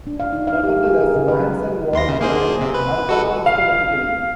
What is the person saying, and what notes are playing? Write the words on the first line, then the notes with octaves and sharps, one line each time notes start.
Nevertheless, Vance and Ward planned Urbana systematically.
D4
F5
D#4
F5
G4
G#4
A#4
C#3
B4
F#3
D#2 C6 A#6
C#3
A#3 G#4 C5
C3
B4
F#4 A4 B4
F5